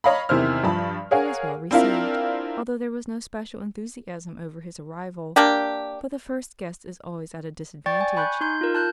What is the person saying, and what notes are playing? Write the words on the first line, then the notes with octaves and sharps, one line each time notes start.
He was well received, although there was no special enthusiasm over his arrival; but the first guest is always at a disadvantage.
C#5 D#5 F5 A#5 B5
E2 C3 D#3 E4 C5 F6
G2 F3 A5 B5
G#4 A#4 C#5 F5 F#5 G#5
C4 D4 E4 F4 A#4 F5
A#3 D4 G4
D5 G5 C#6 A6
G#5
G#5 B5 C#6 F#6 G6
D#4 C6 G6
F4 A#4
A5 F#6 G6